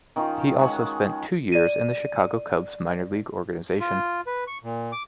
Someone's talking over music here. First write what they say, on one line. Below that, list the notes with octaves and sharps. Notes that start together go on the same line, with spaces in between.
He also spent two years in the Chicago Cubs' minor league organization.
D#3 C#4 D#4 F4
G5
G#3 F#4 C#5 F#5
D5 D#7
F4
B4
C#6
A#2
D6